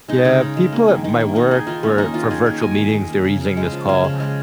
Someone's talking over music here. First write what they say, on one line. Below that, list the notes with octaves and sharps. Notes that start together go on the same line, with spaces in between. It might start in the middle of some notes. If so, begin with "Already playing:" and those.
Yeah, people at my work were for virtual meetings, they were using this call,
G#3 D#4
C#3 D#4
C#3
G#3
A#3
D#3
D#3
A#3
A#3 D#4
D#3 G#4
D#3 F4
A#3 C#4
A#3 D#4
D#3 F4
D#3 G#4
A#3 A#4
A#3 G#5
D#3
D#3
A#3
C#3
C#3
G#3
F3
C#3 F5
C#3
G#3